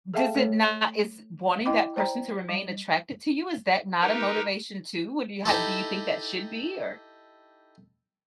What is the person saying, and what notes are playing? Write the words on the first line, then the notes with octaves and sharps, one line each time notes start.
does it not is wanting that person to remain attracted to you, is that not a motivation too? What do you have do you think that should be or
G#4 A4 E5 F5 G5 A5
A3 A4 C#5
E4 D#5 G5 B5 D6
C5 D5 G5 A#5 B5
G3
D#4 G4 A#4 B4
D#4 E4 G4 A4